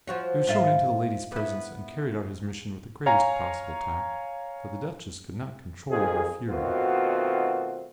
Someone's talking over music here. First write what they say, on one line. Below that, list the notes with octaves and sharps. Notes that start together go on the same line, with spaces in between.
He was shown into the lady's presence and carried out his mission with the greatest possible tact, but the Duchess could not control her fury.
F3 F#4 C#5
G#2 F4 E5
B3 E4
C#5 F5 G#5 A#5
F2 D#3 G4 G#4
B2 D#3 A3 C4 F4 F#4